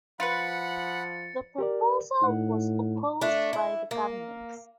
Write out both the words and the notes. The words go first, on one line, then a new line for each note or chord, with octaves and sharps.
The proposal was opposed by the government.
F3 F4 B4 F#5 B5 A6 C#7
G4 A#4 D5
A2 D#4 F#5
A3 D4
E4
A#3